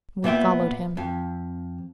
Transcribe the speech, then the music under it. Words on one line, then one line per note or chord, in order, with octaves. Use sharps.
We followed him.
A#2 B3 E5 G5
F2